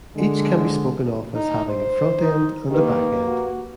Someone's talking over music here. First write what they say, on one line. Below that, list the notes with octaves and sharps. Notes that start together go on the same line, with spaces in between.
Each can be spoken of as having a front end and a back end.
D3 G#3
D#4
C5
D#4
D#3 A#3 G4 B4
F#4